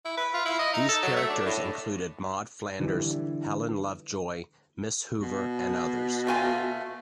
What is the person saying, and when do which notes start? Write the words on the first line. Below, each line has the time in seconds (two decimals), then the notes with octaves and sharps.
These characters included Maude Flanders, Helen Lovejoy, Miss Hoover, and others.
0.05 E4
0.17 B4
0.34 F4
0.46 E4
0.59 D#5
0.73 D#4
0.89 A4
1.03 F#3
1.16 A3
1.30 D4
1.45 A2
2.80 D3 E3 G3
5.21 B2
6.27 A3 F4 G#5